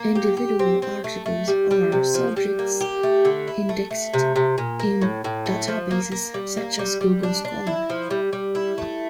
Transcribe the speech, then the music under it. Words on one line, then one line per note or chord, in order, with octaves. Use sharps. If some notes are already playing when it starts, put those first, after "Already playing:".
Individual articles are subject-indexed in databases such as Google Scholar.
Already playing: A#3
G4
G4
C4
C4
A3
A3
G3
G3
C3
F3
G3
A#3
G4
A3
D3
E4
A3
A3
C3
C3
A#2
A#3
A2
A2
A3
F3
A#3
A#3
G3
A#3
G3
G3
D4
D4
E4
F3
G3
G3
E4
A3